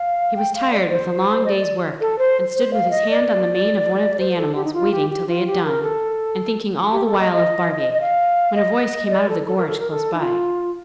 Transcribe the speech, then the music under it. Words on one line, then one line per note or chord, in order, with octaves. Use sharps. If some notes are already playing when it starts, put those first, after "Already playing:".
He was tired with a long day's work, and stood with his hand on the mane of one of the animals, waiting till they had done, and thinking all the while of Barbaik, when a voice came out of the gorse close by.
Already playing: F5
G5
F5
D5
C5
D#5
D5
A4
C5
C5
F5
D#5
D5
C5
A4
G4
D#4
F4
G4
G4
F4
G4
A#4
A4
G4
A4
D#5
D#5
D#5
F5
D#5
D5
A4
A4
A#4
A4
A#4
A4
D#4
F4